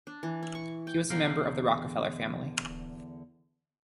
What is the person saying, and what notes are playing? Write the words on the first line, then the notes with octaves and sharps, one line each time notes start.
He was a member of the Rockefeller family.
D4
E3
E4
C#6
G5
E2 D3 A#4 F5 G5